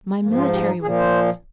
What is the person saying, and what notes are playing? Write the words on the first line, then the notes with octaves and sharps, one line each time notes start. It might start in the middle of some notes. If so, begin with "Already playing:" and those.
"My military weapons."
G#2 F3 A#3
F4
G4
D#4
A#2 F3 G#4
C5